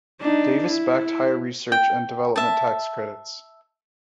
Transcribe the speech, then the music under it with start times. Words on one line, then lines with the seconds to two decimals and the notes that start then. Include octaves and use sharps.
Davis backed higher research and development tax credits.
0.21 D4 D#4
0.68 E4
1.72 G5
2.36 E5 A5